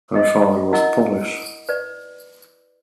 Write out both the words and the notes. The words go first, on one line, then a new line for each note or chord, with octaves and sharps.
Her father was Polish.
D#5
E4 A#4 D#5 F#5 E6
B4 D5